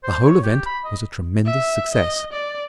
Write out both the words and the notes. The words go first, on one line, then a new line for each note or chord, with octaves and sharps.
The whole event was a tremendous success.
C5
C#5
G4
B5
D#5
E5
D#5
D5